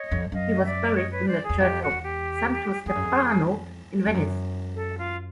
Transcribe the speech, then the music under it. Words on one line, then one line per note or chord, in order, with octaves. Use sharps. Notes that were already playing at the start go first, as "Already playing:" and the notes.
He was buried in the church of Santo Stefano in Venice.
Already playing: C#5 D#5
F2
F#2 D#5 F5
D5 E5
C#5 D#5
B4 C#5
C5 D5
G#4
E2
F2 G4
F#4
E2
G4
F2 G#4
F#2
F2
F2
F#2
A4
F4